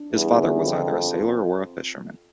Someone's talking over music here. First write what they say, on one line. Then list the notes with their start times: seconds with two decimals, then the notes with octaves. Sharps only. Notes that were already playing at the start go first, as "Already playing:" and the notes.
His father was either a sailor or a fisherman.
Already playing: D4
0.12 E2 G3
0.38 D3
0.65 F2 F4
0.91 C4